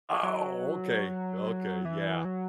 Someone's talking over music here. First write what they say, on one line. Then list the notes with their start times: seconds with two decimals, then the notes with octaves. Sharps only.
Oh, okay, okay, yeah.
0.23 F#3
1.85 E3
2.25 F#3